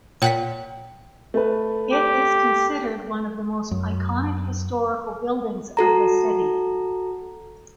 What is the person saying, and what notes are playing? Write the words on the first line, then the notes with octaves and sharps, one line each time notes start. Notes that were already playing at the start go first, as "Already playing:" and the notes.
It is considered one of the most iconic historical buildings of the city.
A#2 C#5 F#5 G5 B6
A3 B4
G4
F#2
F#4 A4 A#5